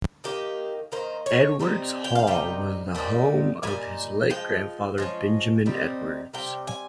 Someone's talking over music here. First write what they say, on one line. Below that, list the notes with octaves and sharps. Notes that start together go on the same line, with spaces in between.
"Edwards Hall" was the home of his late grandfather, Benjamin Edwards.
D#3 A#3 D#4 G4
D#3 A#3 D#4 C5
C#5
C3 G3 C4 D#4
G5
F5
C3 G3 D#4 G5
A#2 G3 C4 D#4
A#2 G3 D#4 G#5
F3 G#3 G5
F3 G#3 C#4
C3 G3 C4 D#4
C3 G3 G5
G#5